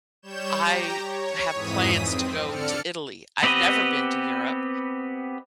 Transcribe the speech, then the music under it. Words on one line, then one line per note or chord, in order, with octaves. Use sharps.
I have plans to go to Italy. I've never been to Europe,
G3 C#5 G6 E7
G4 A#5
C#5
F2 G#2 E3 D#6 B6 D#7
C4
D3 A4 D5 F6 C#7
B3 C4 G4 B4 D#5